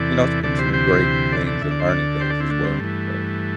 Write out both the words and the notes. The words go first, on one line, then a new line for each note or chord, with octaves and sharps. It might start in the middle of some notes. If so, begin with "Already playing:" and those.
you know, it's been some great things and learning things as well, so
Already playing: E2 C3 E3 A4 D5
D2 C3 E3 A4 D5
G4 C5
G4 C5
A4 D5
A4 D5
D2 D3 E5
D5
C5
A4 D5
G4 C5
A4 D5
C4 E4
A3 D4
G3 C4
G2 E3 A3